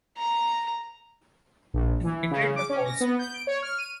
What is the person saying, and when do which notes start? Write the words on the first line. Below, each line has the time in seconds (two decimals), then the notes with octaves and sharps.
He's betrayed the cause.
0.18 A#5
1.74 A#1
2.04 E3
2.31 C#3
2.56 D6
2.69 C#4
2.86 A#6
3.01 B3
3.19 G6
3.34 D7
3.47 C#5
3.62 F6
3.78 D#7